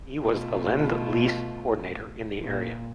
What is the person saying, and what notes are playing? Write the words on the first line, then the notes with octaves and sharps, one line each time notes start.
He was the Lend Lease coordinator in the area.
B2 A3 F4
A#2